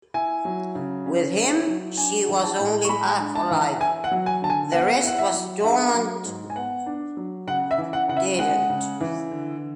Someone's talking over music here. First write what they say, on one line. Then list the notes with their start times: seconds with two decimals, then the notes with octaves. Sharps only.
With him, she was only half-alive; the rest was dormant, deadened.
0.14 E4 G#5
0.45 F#3
0.75 C#3
1.06 C#4
1.36 E4
1.67 F#3
1.97 D4 G#5
2.28 E3
2.43 A5
2.59 A2
2.85 C#6
2.89 G#3 B5
3.20 D4
3.35 A5
3.51 E3
3.81 E4 G#5
4.04 F#5
4.11 F#3
4.26 G#5
4.41 D3 A5
4.50 G#5
4.72 B3 F#5
5.03 E4 F#5
5.18 E5
5.34 F#3
5.60 F#5
5.64 D4 E5
5.94 F#3
6.25 G#2
6.50 G#5
6.56 B3 F#5
6.86 D4
7.17 F#3
7.47 C#3 F#5
7.71 E5
7.78 E3
7.93 F#5
8.08 C#3 F#5
8.17 E5
8.39 G#3 F#5
8.69 C#3
9.00 E3
9.31 D3